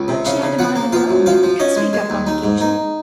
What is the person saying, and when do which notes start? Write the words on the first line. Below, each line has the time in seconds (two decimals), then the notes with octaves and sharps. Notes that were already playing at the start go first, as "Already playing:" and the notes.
But she had a mind of her own and could speak up on occasion.
Already playing: C#2
0.08 C3
0.26 C#3 F5
0.42 C#3
0.59 F3 F#5
0.76 A#3
0.92 F3 F5
1.10 F#2
1.26 F3 F5
1.43 F3
1.60 C#4 D#5
1.77 G#3
1.93 G#3
2.10 D#2
2.27 D#4
2.43 G#2
2.61 D#4